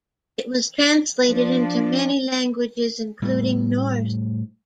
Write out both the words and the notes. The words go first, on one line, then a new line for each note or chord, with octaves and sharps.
It was translated into many languages, including Norse.
F3 D4
A2 G3 A3